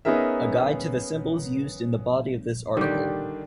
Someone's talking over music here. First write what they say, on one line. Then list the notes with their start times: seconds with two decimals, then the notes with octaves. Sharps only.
A guide to the symbols used in the body of this article.
0.05 B3 C#4 D#4 G#4 A#4 E5
2.77 D3 D#3 G3 D4 G4